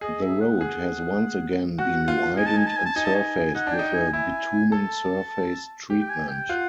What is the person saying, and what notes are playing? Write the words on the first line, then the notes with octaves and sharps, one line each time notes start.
The road has once again been widened and surfaced with a Bitumen Surface Treatment.
G#4 D#5
E5
F#5
G#4
F#4 F#5
F4
D#4 G#5
A5
G#5
A5
G#5
A5
D#4 G#5
A5
G#5
D#4 F#5
D4 G#5
G5
D#4
G#5
E4 G#5
A4 A5
G4
G5
G#5
G5
F4 F#5